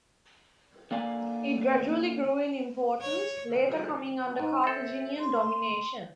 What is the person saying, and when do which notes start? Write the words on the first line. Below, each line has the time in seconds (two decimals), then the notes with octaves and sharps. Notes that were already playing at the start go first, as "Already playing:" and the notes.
It gradually grew in importance, later coming under Carthaginian domination.
0.91 D3 A#3 D5 F5 G5 G#5
3.01 C#5
4.40 G#2 D#4
4.64 C4 A4 E5
5.19 C6